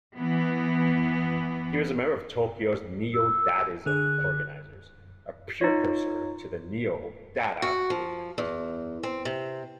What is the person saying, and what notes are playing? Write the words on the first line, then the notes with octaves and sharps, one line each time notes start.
He was a member of Tokyo's Neo-Dadaism Organizers, a precursor to The Neo-Dada movement.
E3 B3
E6
D3 G#4 F#6
D#4 F4 C#5
F#4
F3
E2
C4
C3